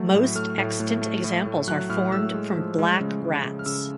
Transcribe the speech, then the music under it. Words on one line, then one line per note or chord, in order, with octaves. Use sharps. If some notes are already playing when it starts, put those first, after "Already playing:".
Most extant examples are formed from black rats.
Already playing: F#3 A3
A2
A3 F6
A2
A2
A3
A2
A2
F#3 F#6
A2 F6
A2 E6
G#3
F3
G#3
C#3
G#3
C#3
F6
C#3 E6